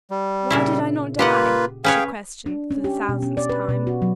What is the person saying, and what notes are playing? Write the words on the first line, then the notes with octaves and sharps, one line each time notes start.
"Why did I not die?" she questioned, for the thousandth time.
G3
A#2 C#3 E4
A#3 F4 G4 B4 D#5 F#5
C#4 G#4 B4 C#5 F5 G5
D4
C#4
G4
B2
C#4
D5
B4
B2
F#4
F#3